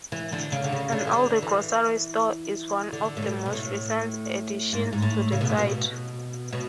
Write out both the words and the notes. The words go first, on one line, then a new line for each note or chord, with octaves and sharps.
An Aldi grocery store is one of the most recent additions to the site.
E3
D3
C#3
D3
C#3
D3
E3
D3
E3
D3
A2
B2
B2
A2
G#2
G#2
A2
C#3
B2
A2
B2
B2